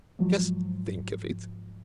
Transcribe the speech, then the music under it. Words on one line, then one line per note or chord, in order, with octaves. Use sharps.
Just think of it!
G#2 F3 F#3